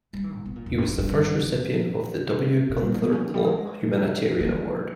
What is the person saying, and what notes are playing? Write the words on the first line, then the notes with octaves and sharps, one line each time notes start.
He was the first recipient of the W. Gunther Plaut Humanitarian Award.
G3
E3
G#2
B2
A#2
E2
G2
G2
G2
G#2
G#2
G3
D#3
B3
C#4
D#3
G3
G#3
A#3